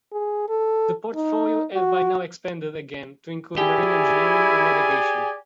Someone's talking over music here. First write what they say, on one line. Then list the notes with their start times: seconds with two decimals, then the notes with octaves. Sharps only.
The portfolio had by now expanded again to include marine engineering and navigation.
0.12 G#4
0.49 A4
1.15 D#4
1.74 F#4
3.58 E4 G4 G#4 D5 G#5